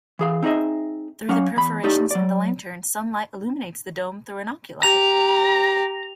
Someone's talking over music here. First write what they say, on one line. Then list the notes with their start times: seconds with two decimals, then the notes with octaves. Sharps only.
Through the perforations in the lantern, sunlight illuminates the dome through an oculi.
0.19 E3 G#4 F5
0.43 C4 D#4 G#4 D#5 E5
1.29 F#3 C#4 F5 F#5
1.56 E2 B5
1.83 A2 D#4 G4 D5
2.11 F#3 D5
4.83 G4 A#5 F7